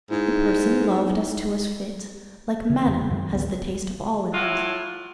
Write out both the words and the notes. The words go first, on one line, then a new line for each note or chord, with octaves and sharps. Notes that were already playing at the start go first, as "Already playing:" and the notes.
"The person love does to us fit, Like manna, has the taste of all in it."
G#2 D#4 E4
C#3 E3
F2 C#3 G#3
F#2 D#3 F#3
A1 D2 G#3 B3
A2 F#3 E4 F4